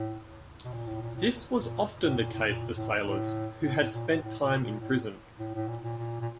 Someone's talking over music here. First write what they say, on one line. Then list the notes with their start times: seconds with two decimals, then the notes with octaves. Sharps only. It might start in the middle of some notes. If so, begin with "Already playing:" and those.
This was often the case for sailors who had spent time in prison.
Already playing: A2
0.64 B2
0.73 A#2
0.87 A2
1.02 A#2
1.17 A2
1.60 A#2
2.04 A2
2.18 A#2
2.33 A2
2.47 A#2
2.76 A2
3.04 A2
3.64 A2
3.79 A2
3.94 A#2
4.08 A2
4.23 A2
4.42 A#2
4.62 A#2
4.81 A2
5.39 A2
5.55 A2
5.68 A#2
5.84 A#2
5.97 A#2
6.21 A#2